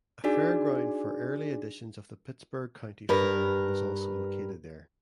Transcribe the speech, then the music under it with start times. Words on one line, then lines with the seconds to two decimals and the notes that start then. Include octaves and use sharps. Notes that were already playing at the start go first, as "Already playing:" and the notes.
A fairground for early editions of the Pittsburg County Fair was also located there.
0.24 D4 D#4 F#4 G#4 D5 G#5
3.09 G2 A#4 B4